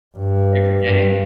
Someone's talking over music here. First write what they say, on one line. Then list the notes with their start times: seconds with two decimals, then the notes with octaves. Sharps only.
every day?
0.17 G2
0.85 G2